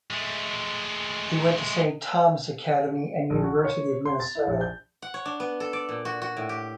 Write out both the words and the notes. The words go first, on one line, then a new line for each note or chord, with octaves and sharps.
He went to Saint Thomas Academy and University of Minnesota.
G#3 A3
A#1
F#4
C#5
C6
A6
E4
A#1
G6
F#5
C#5
D4
B3
A4
D5
A#2
F#4
F#4
A2
G4